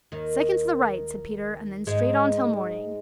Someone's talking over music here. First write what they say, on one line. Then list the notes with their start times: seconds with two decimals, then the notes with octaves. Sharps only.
"Second to the right," said Peter, "and then straight on till morning."
0.12 D#2 D#3
1.87 G#2 G#3